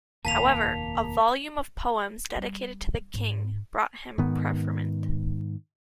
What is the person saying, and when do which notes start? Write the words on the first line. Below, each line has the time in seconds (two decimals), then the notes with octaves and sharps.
However, a volume of poems dedicated to the king brought him preferment.
0.25 F1 D#2 A#2 A#3 A5 B6 F7
2.35 G3
3.14 G#2
4.18 G#2 D#3 B3